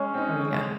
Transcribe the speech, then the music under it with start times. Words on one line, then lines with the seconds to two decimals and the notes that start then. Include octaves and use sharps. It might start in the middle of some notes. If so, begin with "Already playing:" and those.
Oh, yeah.
Already playing: G#3 C#4
0.14 C4 D#4
0.53 G#3